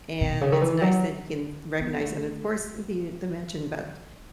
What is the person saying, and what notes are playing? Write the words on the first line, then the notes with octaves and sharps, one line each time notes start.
and it's nice that you can recognize and, of course the the mention about,
B2
C#3
D#3
E3
F#3
B3
A3